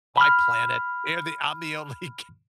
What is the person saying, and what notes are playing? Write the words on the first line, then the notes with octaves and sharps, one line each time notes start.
my planet, they're the I'm the only
B5 F6